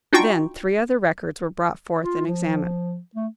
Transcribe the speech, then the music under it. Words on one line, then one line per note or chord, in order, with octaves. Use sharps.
Then three other records were brought forth and examined.
D4 D#4 F4 F#4 G5 C#6
F4
F3
A3